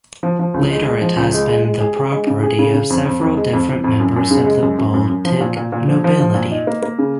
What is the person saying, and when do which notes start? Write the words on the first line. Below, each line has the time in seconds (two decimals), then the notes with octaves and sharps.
Later it has been the property of several different members of the Baltic nobility.
0.23 F3
0.39 F3
0.54 C#2
0.70 G#3
0.85 G#3
1.01 F3
1.17 C#2
1.33 G#3
1.49 G#3
1.64 G#3
1.81 G#4
1.96 G#4
2.12 G#3
2.27 C#3
2.43 G#4
2.59 C#3
2.74 C#3
2.90 F2
3.06 F2
3.21 F2
3.37 G#3
3.53 F2
3.69 F2
3.84 F2
4.00 F#2
4.16 F#2
4.31 C#3
4.46 G#3
4.62 F#2
4.78 F#2
4.94 F#2
5.09 F#2
5.25 F3
5.41 A#2
5.57 A#2
5.72 A#2
5.88 F3
6.04 F3
6.20 F3
6.35 A#2
6.52 D#4
6.67 A#3
6.83 A#3
6.99 C#3